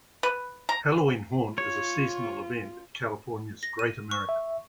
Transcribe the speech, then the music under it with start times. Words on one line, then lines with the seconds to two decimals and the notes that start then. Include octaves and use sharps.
Halloween Haunt is a seasonal event at California's Great America.
0.23 B4
0.69 A#5
1.58 F4 C#5
3.63 A#6
3.79 D#7
4.11 C#6
4.29 E5